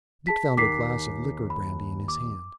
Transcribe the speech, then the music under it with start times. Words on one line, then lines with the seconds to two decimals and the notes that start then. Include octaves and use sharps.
Dick found a glass of liqueur brandy in his hand.
0.27 G#4 A5 B6
0.57 D#2 D6 B6 C7
1.50 B5
2.08 D6